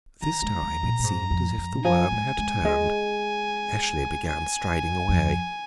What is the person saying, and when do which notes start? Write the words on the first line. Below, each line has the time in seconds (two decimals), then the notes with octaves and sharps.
This time it seemed as if the worm had turned; Eshley began striding away.
0.22 D#3 A#5
0.42 G#3
0.62 G#3
0.77 C#3
0.83 A#2
0.99 A#2
1.04 G#2
1.30 F2
1.57 F2
1.79 D#3
1.84 F3 G#5
2.11 G#3
2.38 G#3
2.62 F3
2.65 G#3
4.27 G#5
5.08 F2